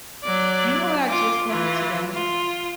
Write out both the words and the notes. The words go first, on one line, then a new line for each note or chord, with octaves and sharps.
you know what I just learned today?
F#3 D5
F4 D6
E3 F4
F4